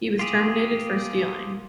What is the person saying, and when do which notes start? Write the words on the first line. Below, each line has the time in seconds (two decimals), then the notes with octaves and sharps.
He was terminated for stealing.
0.19 A#3 F4 G4 G#4